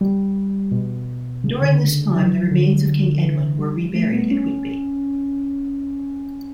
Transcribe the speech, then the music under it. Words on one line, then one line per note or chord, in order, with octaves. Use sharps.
During this time, the remains of King Edwin were reburied at Whitby.
G3
B2
C#3
D3
F#3
D3
E3
G3
A3
B3
C#4